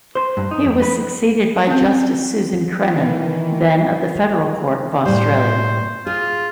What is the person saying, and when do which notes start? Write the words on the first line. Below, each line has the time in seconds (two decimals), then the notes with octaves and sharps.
He was succeeded by Justice Susan Crennan, then of the Federal Court of Australia.
0.15 C5
0.37 G2
0.51 D#4
0.65 F2
0.82 B4
1.67 C4 C#4
2.93 D#3 E3
5.05 A2 G3 C5
6.07 F4 G#4